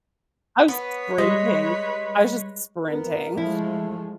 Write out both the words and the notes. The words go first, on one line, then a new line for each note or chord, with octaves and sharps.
I was sprinting. I was just sprinting.
B3 B4 C#5
G3 G#3 D#5
B3 A#4
F3 G#3 A3 E4